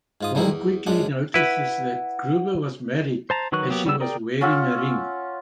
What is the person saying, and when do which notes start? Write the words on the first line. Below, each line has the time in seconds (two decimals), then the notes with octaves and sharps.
Monk quickly notices that Gruber was married, as she was wearing a ring.
0.21 G#2 F4 D#6
0.35 D3 D#3 G3 G#3 D#4 E4
0.51 E2
0.86 F#2 G#3 D4 F#5
1.34 E4 B4 F#5
3.30 C5 A5 A#5
3.52 D#3 F#3 B4 C#6 F#6
3.70 F#3 A#3 B3 G4
3.85 C#3 G3 B3 E6
4.00 G#4 A#4 D5 G5
4.41 C#4 F4 F#5 E6